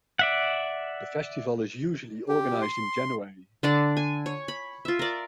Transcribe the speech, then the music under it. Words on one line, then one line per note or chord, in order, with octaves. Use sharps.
The festival is usually organized in January.
D5 E5 F#5
G4
C6
D3 D4 D5
G#5
C#5
B5
F4 E5
A#4 D5